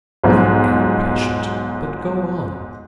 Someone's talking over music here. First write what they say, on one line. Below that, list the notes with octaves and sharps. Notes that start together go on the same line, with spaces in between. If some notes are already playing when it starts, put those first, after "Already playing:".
"I am patient, but go on."
B1 G#2 F3